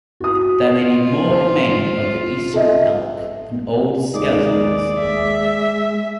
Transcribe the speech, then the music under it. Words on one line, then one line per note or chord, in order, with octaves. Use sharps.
There may be more remaining of the eastern elk than old skeletons.
F#4 D#6
F4
C5
A4 D#5 E5
D#2 G#3 D#4 G#4 D5
G#3 E5